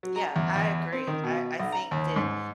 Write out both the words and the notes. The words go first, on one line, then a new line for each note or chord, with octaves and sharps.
Yeah, I agree. I I think that,
F#3
A#5
E2
E2
C4
D#3
B2
B1
A#5
D#2
G#2